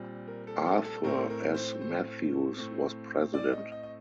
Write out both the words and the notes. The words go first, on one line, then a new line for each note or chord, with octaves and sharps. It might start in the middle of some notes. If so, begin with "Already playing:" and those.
Arthur S. Matthews was President.
Already playing: A#2 G3 C4
A#4
A4
A4
A4
A2 A3 C4 A#4
A#4
C5
C5
A2 A3 C4
D5
D#5
D#5
D#5